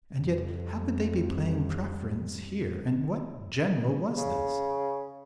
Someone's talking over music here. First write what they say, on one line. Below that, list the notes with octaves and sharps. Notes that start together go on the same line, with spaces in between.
And yet how could they be playing preference here and what general was this?
F2 G3
C#3